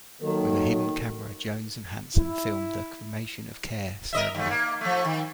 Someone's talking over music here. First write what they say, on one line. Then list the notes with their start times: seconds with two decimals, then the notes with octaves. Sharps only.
With a hidden camera, Jones and Hanson filmed the "Cremation of Care" ceremony.
0.21 D#3 F#3 A#3 A4
2.16 E4
4.13 A#4 D#5 E5
4.35 D#2 A3
4.50 A#3
4.81 F3 A3
5.05 D#3